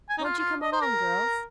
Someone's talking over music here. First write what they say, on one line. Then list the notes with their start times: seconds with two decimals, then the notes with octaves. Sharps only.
"Won't you come along, girls?"
0.09 G#5
0.18 D#4
0.24 F4
0.38 F4
0.62 D#5
0.73 C5
0.82 A#4